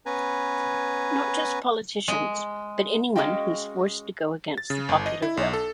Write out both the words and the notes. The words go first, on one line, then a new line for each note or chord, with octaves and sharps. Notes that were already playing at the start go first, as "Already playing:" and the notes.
Not just politicians, but anyone who's forced to go against the popular will.
B3 C#4 B4 G#5 A#5
G#3
G#3 C#4 F#4 D#5 F5 G5
A6
C#3
G1
D#5
E4
B1
A4